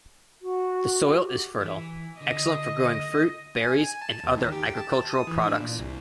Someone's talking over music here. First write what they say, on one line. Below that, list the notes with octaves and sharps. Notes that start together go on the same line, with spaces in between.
The soil is fertile, excellent for growing fruit, berries and other agricultural products.
F#4
G4
E3
D3 D#5
G#5
G#5
A5
D#2
D#3
G4
A5
D#6
E3
D4
A#2
C2